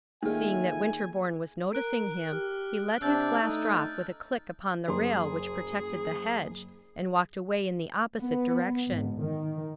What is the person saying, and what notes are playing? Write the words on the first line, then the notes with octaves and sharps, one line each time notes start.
Seeing that Winterborne was noticing him, he let his glass drop with a click upon the rail which protected the hedge, and walked away in the opposite direction.
D#3 A3 A#3 E4 F4 G#4 G#5
A#4 F#6 D7
G4 F6
C3 D4 E6 G6 A6
A3 D#4
F#1 G#4 C6
B3
G#1
D#3